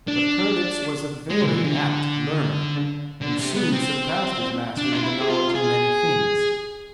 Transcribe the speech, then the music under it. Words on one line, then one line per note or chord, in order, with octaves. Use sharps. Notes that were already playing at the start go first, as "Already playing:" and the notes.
But Perdix was a very apt learner, and soon surpassed his master in the knowledge of many things.
D4
G#3
D3
E3
D3
D3
C3
B3
C4
D4
F4
E4
G#4
F4
G#4